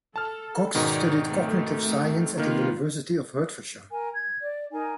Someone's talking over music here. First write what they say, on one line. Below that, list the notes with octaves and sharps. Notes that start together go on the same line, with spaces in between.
Cox studied cognitive science at the University of Hertfordshire.
A4 A5 F6
G#2 B2 D#3 C#4 D#4 D5
A3 C4
D#3 A#3 F4 B4
A#4 G#5
G#6
D5
D#4 A#4 G#5